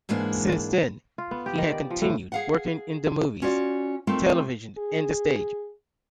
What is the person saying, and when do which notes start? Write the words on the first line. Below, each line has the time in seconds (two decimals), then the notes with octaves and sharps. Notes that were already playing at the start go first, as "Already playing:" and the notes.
Since then, he has continued working in the movies, television and the stage.
0.09 G#2 E3 G#3 A#3 D4
1.18 F4
1.31 B3
1.46 G4
1.58 D#3
1.72 D5
1.90 F3
2.02 A2
2.32 G#4 F5 F#5
3.42 C#4 F4 F#4 D5
4.07 A3 C4 D#4 F4 A#4
4.78 G#4